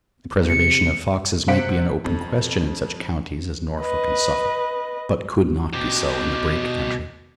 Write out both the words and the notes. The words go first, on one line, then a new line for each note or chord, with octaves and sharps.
The preservation of foxes might be an open question in such counties as Norfolk and Suffolk, but could not be so in the Brake country.
C3 C#7
C3 C5 F#5 B6 D7
F2
B4 D#5
B2 G4